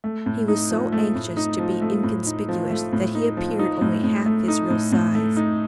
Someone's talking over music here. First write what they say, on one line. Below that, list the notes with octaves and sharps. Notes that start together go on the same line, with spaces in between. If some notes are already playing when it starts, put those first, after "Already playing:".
He was so anxious to be inconspicuous that he appeared only half his real size.
A3
A2
D#4
F3
A3
A2
D#4
F3
A3
A2
D#4
F3
A3
A2
D#4
F3
D#4
A2
A2
A3
D#4
A2
A2
A3
D#4